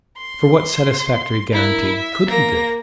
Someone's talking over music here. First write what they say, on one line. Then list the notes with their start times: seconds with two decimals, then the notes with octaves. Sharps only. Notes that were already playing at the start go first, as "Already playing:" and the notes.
For what satisfactory guarantee could he give?
0.18 C6
1.53 E4 A#4
1.96 E5
2.27 A#3 A#6